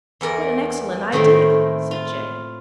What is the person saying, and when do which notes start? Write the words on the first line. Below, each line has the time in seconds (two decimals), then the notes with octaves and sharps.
"What an excellent idea!" said Jane.
0.21 E2 B3 A#4 D5
1.12 A2 D#3 A3 A#3 C4 C5
1.91 F4